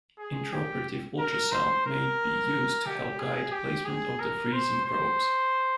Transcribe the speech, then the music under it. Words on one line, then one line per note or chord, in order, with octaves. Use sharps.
Intraoperative ultrasound may be used to help guide placement of the freezing probes.
G#4
G4
A#4
C5
A#4
G4
G#4
G4
G#4
A#4
C5
C5